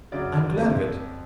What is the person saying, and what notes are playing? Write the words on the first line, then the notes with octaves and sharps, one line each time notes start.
I am glad of it.
F#2 C#3 F#3 D5
F2 F3 D5